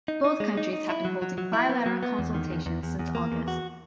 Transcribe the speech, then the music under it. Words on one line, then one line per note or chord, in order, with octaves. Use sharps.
Both countries have been holding bilateral consultations since August.
D#4
D#4
G#3
D#4
D#4
E4
F#3
F#3
F#3
E4
B3
F#3
B3
E2
D#3
E2
E2
E2
E2
A#3
E2
F#4